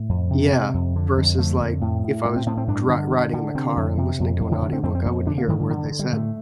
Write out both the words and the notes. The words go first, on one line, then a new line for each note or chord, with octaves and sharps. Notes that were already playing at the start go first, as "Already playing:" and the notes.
yeah, versus, like, if I was dri riding in the car and listening to an audiobook, I wouldn't hear a word they said.
Already playing: A2
F2
C3
C3
F2
D3
F2
D3 A3
F2
A2
A2
A2 A#3
C4
A2 C4
C4
G2 D4
D3
D3
D3
C3 C4
F2
C3
F2
F2
D3
D3 D#3
C4
F2 C4
C4
F2 A#3
D3 D4
A#3
G2 D#3
D3
D3 D#3
D#3
D3
G3
A2 A3